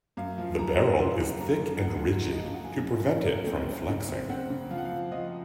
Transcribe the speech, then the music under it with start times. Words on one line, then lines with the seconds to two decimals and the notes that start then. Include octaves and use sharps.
The barrel is thick and rigid, to prevent it from flexing.
0.17 F#2 F5
0.38 F3
0.59 F#2 A#5
0.79 F#2
0.99 C#3 C6
1.20 F#2
1.41 F#2 A#5
1.61 F3
1.82 C#3 F#5
2.02 F3
2.23 F3
2.32 D#5
2.43 F#2 F5
2.54 F#5
2.65 F3 G#5
2.86 F3
3.06 C#3
3.26 F#2
3.47 C4
3.67 C4
3.88 C#3
4.08 C4
4.30 C4 F#5
4.50 C#3
4.70 F3 F5
4.78 F#5
4.85 F5
4.91 F3
5.11 F3 D#5